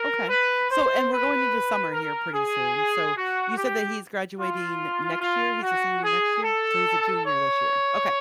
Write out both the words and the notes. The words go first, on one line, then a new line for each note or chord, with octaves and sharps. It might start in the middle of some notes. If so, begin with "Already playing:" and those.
Okay. So and we're going into summer here pretty soon, so you said that he's graduating next year he's a senior next year? So he's a junior this year. Okay,
Already playing: A#4
B4
C5
B4
A#4
G#4
F#4
G4
F4
F4
F#4
G#4
A4
C#5